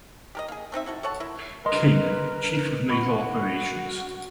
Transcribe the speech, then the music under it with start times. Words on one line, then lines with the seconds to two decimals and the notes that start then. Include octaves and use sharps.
King, Chief of Naval Operations.
0.35 G4 A#4 D#5
0.48 A#3 G#4
0.72 A3 C4 D#4 E5
0.86 E4 F#4 A4
1.03 A4 C#5 F#5 A5
1.20 E4 A#4 E5
1.66 A#4 B4 D#5 C6
2.89 F#4 B5 C#6